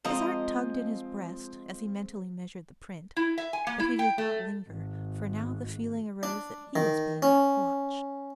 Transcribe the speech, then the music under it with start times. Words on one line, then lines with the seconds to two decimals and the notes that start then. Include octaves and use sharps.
His heart tugged in his breast as he mentally measured the print, but he did not linger, for now the feeling arose that he was being watched.
0.05 F3 G#3 C4 D#5 F5 A#5
3.16 E4
3.38 E5
3.53 G#5
3.67 A#3
3.80 E4
3.99 G5
4.18 A3
4.67 G#1
6.23 D4
6.76 D#3
7.22 C#4